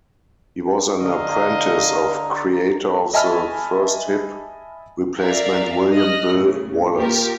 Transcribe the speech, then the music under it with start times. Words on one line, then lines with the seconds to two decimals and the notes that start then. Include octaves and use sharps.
He was an apprentice of creator of the first hip replacement, William "Bill" Wallace.
1.01 D3 D#5 F5 A#5
3.14 D#5 E5 G#5 A5 B5 F6
5.20 A#4 D5 E5 F5 A#5
5.96 D#5 F6 F#6 A#6
6.33 A2 C#3
6.95 A#3 F4 G4 A#4